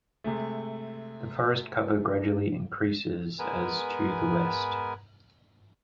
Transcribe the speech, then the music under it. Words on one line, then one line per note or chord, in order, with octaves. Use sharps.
The forest cover gradually increases as to the west.
C3 G#3 A3
G#3 B3 A#4 B4 G#5